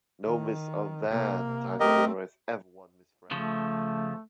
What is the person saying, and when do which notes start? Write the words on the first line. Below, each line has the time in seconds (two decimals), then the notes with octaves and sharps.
No Miss Auvergne titleholder has ever won Miss France.
0.24 D#3
1.09 C3 A#3
1.80 A3 C4 G4 A#4 D#5
3.31 C#3 F3 A3